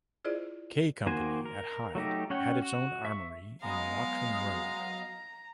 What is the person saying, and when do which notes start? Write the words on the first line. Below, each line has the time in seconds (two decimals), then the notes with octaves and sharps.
K Company at Hyde had its own armoury in Mottram Road.
0.25 E4 F4 G#4 C5 D5 D#5
1.06 D#3 A#3 F#4 C5 G#5
1.46 A#4
1.95 F#3 A3 D#4 G4
2.30 C#4 C#5 F#5 G5
2.62 F#4
3.05 E5 C#6
3.63 F#3 G#3 B3 D#5 F5 A#5